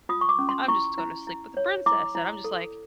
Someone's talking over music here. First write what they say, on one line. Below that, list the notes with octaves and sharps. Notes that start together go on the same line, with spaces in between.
"I'm just gonna sleep with the princess," and I'm just like,
F4 D#6
C#6
D6
C#4
C6
E4 C#6
E4
E4
C#5
E4 D6
E4
A4